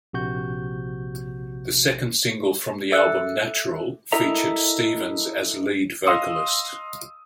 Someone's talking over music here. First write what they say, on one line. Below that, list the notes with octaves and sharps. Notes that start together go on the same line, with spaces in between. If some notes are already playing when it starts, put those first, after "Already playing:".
The second single from the album, '"Natural", featured Stevens as lead vocalist.
A#1 C3 F#4 G6
A4 E5 E6 F#6 C#7
E4 A4 A#4 D#5 E5 A#5
D#5 F5 C6 D#6 E6